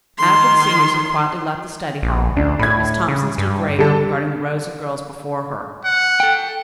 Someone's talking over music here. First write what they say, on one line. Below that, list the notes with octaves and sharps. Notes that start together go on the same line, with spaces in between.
After the seniors had quietly left the study hall, Miss Thompson stood gravely regarding the rows of girls before her.
D#3 C6
A#1
D2 D4
A2 B5 G#6
C#3
G2
D3 G3 A4
F#5
A4 G5